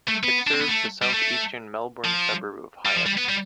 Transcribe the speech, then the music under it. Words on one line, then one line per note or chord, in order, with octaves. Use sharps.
It serves the south-eastern Melbourne suburb of Highett.
A3
B3
D4
C4
B3
A3
G3
A3
F3
G3
F3
G3
B3
G3